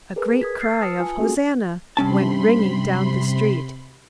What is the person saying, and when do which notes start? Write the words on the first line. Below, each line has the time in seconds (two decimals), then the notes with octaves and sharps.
A great cry of "Hosanna!" went ringing down the street.
0.16 G#4 A#4 B4
0.41 D#6 G#6 B6
0.61 E6 F6 A6 C7
0.81 B4 A5 D#6 C#7
1.00 F4 G#5 D#6
1.19 A#3 C#4 F#4 G#4 A4
1.97 G2 C3 C#4 A5 B5 C6